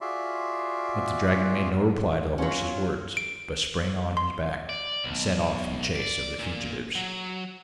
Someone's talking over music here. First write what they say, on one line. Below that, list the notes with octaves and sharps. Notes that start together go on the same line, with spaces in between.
But the dragon made no reply to the horse's words, but sprang on his back and set off in chase of the fugitives.
F4 F#4 G#4 D5 E5 C6
F#3 C#4 F4
D7
C6
D5
B1
D5
A#2
F#3